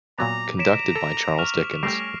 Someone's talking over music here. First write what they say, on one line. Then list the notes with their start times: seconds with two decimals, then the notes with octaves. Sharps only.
Conducted by Charles Dickens.
0.18 A#2 F#3 B3 A#5 D6
0.59 C#5 A#5 B6 D7 E7
0.96 A4
1.39 C#6 F6 F7
1.83 G3 A3 C#4 G4 A#6 C7 D7